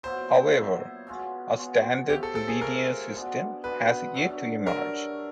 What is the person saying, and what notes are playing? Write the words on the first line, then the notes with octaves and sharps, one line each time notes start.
However, a standard linear system has yet to emerge.
A#2 F#3 B3 E4 C5
A#2 F#3 B3 E4
B2 G#3 C#4 F4
B2 G#3 C#4 F4
A2 F3 A3 G4
A4
A4
G#4
A2 F3 A3 A#4
B2 G#3 B3 D4
B2 G#3 B3 D4 B4
G2 D3 F#3 A3
G2 D3 F#3 A3 A#4